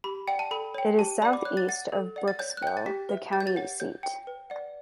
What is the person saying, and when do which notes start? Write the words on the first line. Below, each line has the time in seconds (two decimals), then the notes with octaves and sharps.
It is southeast of Brooksville, the county seat.
0.04 G4 B5
0.28 D5 F#5 G5
0.39 A5
0.51 A4 B5
0.74 C#5 G5
0.98 G4 A5
1.22 D5 F#5 B5
1.33 D6
1.45 C#5 F#6
1.57 A6
1.68 F#5 A6
1.92 A4
2.16 D5 F#5
2.28 A6
2.39 C#5 G6
2.57 F#6
2.63 G5 G6
2.77 A6
2.86 G4 B6
3.09 B4 E5
3.33 G4 A6
3.40 G6
3.47 A6
3.56 C#5 F#5
3.80 C#5 G6
4.03 G5
4.27 B4
4.50 D5 F#5